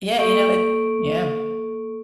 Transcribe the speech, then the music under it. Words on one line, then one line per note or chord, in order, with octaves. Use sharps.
Yeah, you know, it yeah.
A#3 A4 C#6 D7